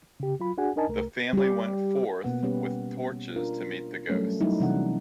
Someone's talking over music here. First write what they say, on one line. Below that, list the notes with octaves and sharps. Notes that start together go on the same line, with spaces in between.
The family went forth with torches to meet the ghosts.
C#3 G4
F#3 F4 B5
D4 F#4 G#4 F#5 G#5
D4 D#4 A#4 D#5 G#5 A5
C2 A3 A#4
G3 G4
B2 A#3 B3 F#5
G3 B3 C#4 G4 B4
D4 F4 A#4
F#3 G3 A3 C#4
F#3 G3 A3 D#4 E4
C3 E3 G3 D4 E4 F#5